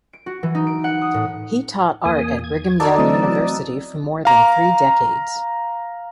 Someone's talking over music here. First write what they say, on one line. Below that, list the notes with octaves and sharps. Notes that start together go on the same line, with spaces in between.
He taught art at Brigham Young University for more than three decades.
D7
F#4
E3
D#4
D7
F#5
D#6
A2
E2 A#3 G#5 D#6
G#6
D#4 F#4 A4 D5 A5
E3 F#3 A3 C4 D#5 A5
F5 A#5